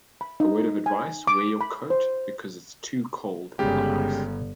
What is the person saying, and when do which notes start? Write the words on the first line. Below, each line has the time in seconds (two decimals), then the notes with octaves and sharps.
A word of advice, wear your coat because it's too cold in the house.
0.21 B5
0.40 D#4
0.86 G#5
1.27 D6
1.61 B5
1.90 C5
3.59 G1 C#3 G#3 G4